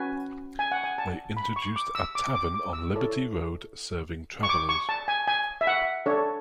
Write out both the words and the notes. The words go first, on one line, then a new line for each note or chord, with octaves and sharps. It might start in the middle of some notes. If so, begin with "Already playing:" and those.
They introduced a tavern on Liberty Road serving travelers.
Already playing: C#4 F#4 B4 G#5
G#5
F#5
G#5
A5
B5
C#6
D6
E6
D6
D6
D6
E6
E4 A4 C#5
C#6
D6
C#6
A5
G#5
G#5
E5
F#5
D4 A4 C#5